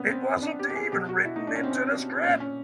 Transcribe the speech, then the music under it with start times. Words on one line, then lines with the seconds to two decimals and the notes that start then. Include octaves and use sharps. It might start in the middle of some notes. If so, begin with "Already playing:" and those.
It wasn't even written into the scrip.
Already playing: A#2 B3 C#4
0.11 C4
0.42 D4
0.59 G4
0.69 G4
0.75 G#4
0.92 B2 G4
1.09 F#4
1.25 E4
1.36 D#4
1.47 D4
1.55 C#4
1.63 C4
1.71 C#4
2.23 A#2 C#4
2.40 C#4